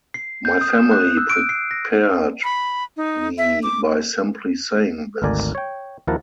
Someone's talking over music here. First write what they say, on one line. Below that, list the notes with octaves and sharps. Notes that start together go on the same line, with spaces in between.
My family prepared me by simply saying this.
C7
G6
D#6
E7
F#6
E6
D7
C7
A#6
B5
D#4
E5
D6
G#1 D2 D3 A#4 D5 G#5
C#5 G5
D#2 F3 E4 A#4 F#5 A5